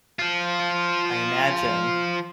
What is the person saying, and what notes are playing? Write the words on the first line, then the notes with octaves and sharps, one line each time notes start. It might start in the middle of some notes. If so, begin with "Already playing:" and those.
I imagine
F3 F4